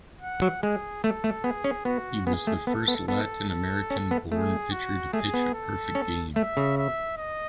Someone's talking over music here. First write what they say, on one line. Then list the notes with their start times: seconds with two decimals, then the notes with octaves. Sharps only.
He was the first Latin American-born pitcher to pitch a perfect game.
0.21 F#5
0.42 F#3
0.63 G#3 G#4
1.04 A3 A4
1.24 A3
1.44 B3 G#4
1.64 C#4
1.85 B3 F#4
2.27 B3 G#4
2.47 A3
2.67 B3 A4
2.88 B3
3.08 B3 A4
3.49 A4
3.90 C#4
4.11 B3
4.32 A3 G#4
4.72 F#4
5.13 A3 G#4
5.34 B3
5.54 A4
5.95 C#4
6.36 A3 E5
6.57 C#3
6.78 E5
7.18 D#5